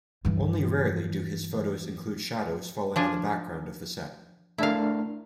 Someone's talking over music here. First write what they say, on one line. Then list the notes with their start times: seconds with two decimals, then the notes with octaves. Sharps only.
Only rarely do his photos include shadows falling on the background of the set.
0.25 G2 E3
2.96 F3 D4 G#5
4.58 A3 D4 E4 A#4 F5